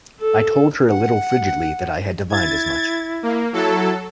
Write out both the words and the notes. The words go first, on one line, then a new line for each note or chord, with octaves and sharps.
I told her a little frigidly that I had divined as much.
A4
F#5
E4 G#6 A6
A#3
F#3 E4 A4